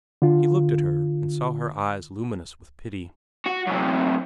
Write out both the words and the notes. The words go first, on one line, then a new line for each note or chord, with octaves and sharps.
He looked at her and saw her eyes luminous with pity.
D3 F4
F#4
F#2 C3